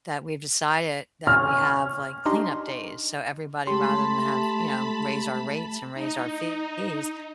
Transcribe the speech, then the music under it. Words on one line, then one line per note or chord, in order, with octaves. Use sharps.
that we've decided that we have, like, cleanup days. So everybody rather than have you know, raise our rates and raise our fees,
C#4 F6
D4 D#4 G4 D#5 C6
G#3 A3 G4 A5 B5 C6
D#4